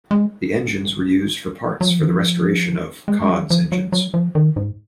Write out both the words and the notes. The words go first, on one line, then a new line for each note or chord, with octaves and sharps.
The engines were used for parts for the restoration of "Cod"'s engines.
G#3
F#3
F3
D#3
F3
G#3
G#3
F#3
F3
F#3
F#3
F3
D#3
G#2